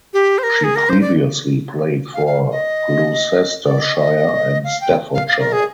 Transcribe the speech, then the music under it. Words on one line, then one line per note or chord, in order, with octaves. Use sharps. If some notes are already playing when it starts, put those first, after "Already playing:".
She previously played for Gloucestershire and Staffordshire.
G4
C5
A#4
G#4
A#4
C5
D5
F5
F5
D#5
D5
D#5
D#5
F5
G5
F5
F5
A#4
G#4